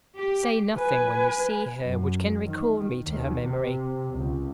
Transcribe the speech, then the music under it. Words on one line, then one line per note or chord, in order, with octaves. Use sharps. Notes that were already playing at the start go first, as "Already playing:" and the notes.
Say nothing, when you see her, which can recall me to her memory.
G4
B4 G#5
F#2
D#3
D#2
C3
C#2